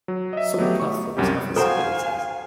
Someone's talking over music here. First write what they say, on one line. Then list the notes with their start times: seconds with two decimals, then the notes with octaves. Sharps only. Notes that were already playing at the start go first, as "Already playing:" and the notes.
Some platforms have escalators.
0.08 F#3
0.33 D#5 E5
0.58 F#3 A3 B3 G4
0.80 C#6
1.17 C2 F#2 C#4 G4
1.56 F#4 A4 C5 F5 G5 G#5 A#5